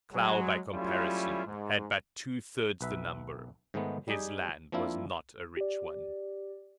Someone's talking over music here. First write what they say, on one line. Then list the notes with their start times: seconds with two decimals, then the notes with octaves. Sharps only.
Klow, by comparison, had but two-thirds the number; his land was not a rich one.
0.13 F#3 G#3
0.72 F#3 G3 A3 C#4 E4 F4
1.46 G#2
2.81 B1 B4 E5
3.74 G#2 D#3 G#3 A3 B3
4.08 G3 D#4 G4 G#4
4.72 F3 A#3 C4 D4 E4 F4
5.57 G4 D5